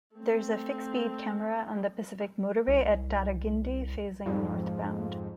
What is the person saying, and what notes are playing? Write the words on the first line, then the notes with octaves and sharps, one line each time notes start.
There is a fixed speed camera on the Pacific Motorway at Tarragindi, facing northbound.
A3 C4
C2
F2 G#2